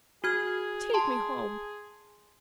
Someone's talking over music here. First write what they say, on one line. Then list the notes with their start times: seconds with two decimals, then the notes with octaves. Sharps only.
Take me home!
0.24 F#4 G#4 F6 G#6
0.94 G#4 A5 C6